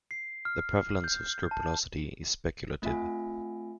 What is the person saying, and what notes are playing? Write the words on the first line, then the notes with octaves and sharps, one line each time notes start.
The prevalence of scrupulosity is speculative.
C7
F6
G6
A5
A3 C4 F4 E5 G#5